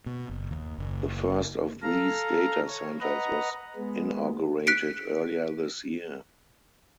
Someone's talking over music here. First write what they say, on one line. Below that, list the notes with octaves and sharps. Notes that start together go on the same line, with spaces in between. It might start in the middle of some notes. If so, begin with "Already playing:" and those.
The first of these data centres was inaugurated earlier this year.
B2
F#1
D#2
F#1
A4 F5 A#5
C#5
B4 D#5 F#5 A#5
G#3 B3
F#6 B6 C#7 D7